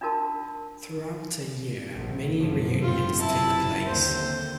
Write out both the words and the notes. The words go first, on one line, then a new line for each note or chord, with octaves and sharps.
Throughout the year, many reunions take place.
D4 D#4 F4 F#4 A#4 A5
A#1 A#2
G1 F#2 F3
F#1 C4 F4
E4 A5
D#2 D3 C4 C5